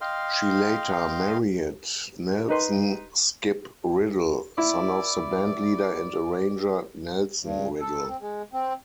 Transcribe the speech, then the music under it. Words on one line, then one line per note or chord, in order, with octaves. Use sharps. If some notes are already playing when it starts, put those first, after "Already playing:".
She later married Nelson "Skip" Riddle, son of the bandleader and arranger Nelson Riddle.
D#5 F5 G5 C6 F6
D#4 B4 C6
E4 D5
G2
A4
C4
G#3
C4